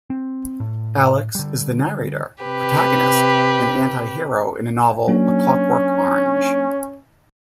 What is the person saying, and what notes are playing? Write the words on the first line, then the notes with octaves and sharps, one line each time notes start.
Alex is the narrator, protagonist and antihero in the novel "A Clockwork Orange".
C4
A2
D3 G3
C3 G4 B4
F#3 A#3 C#4 D4